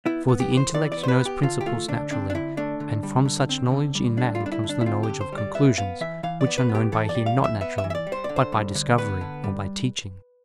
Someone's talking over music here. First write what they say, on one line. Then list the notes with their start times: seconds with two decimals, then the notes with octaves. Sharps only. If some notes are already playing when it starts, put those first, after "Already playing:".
For the intellect knows principles naturally; and from such knowledge in man comes the knowledge of conclusions, which are known by him not naturally, but by discovery, or by teaching.
0.06 B3 E4
0.29 B3
0.40 G4
0.51 E3
0.57 C5
0.74 E3 D5
0.92 D5
0.97 B3
1.03 C5
1.08 B4
1.20 B3
1.26 G4
1.43 D3 F4
1.61 G4
1.66 A3 F4
1.88 D3 D4
2.11 C4 D4
2.30 D4
2.35 D3 E4
2.57 A3 D4
2.80 D3
3.03 G3
3.25 D3
3.49 C4
3.71 D3
3.95 G3
4.17 D3 D4
4.35 F4
4.40 G3
4.46 D4
4.52 E4
4.64 D3
4.69 D4
4.81 E4
4.86 C4 F4
5.03 G4
5.09 D3
5.21 C5
5.32 G3
5.38 D5
5.55 B3 E5
5.78 B3 F5
6.01 E3 E5
6.23 E3 F5
6.41 D5
6.46 B3
6.58 B4
6.69 B3
6.75 G4
6.92 E3 A4
7.09 D5
7.15 G3
7.26 F5
7.38 E3
7.44 E5
7.61 B3 E5
7.78 E5
7.84 E3
7.90 E5
7.95 D5
8.07 G3
8.12 C5
8.24 D5
8.29 D3
8.36 C5
8.52 G3
8.75 D3
8.98 B3 B4
9.21 D3
9.44 G3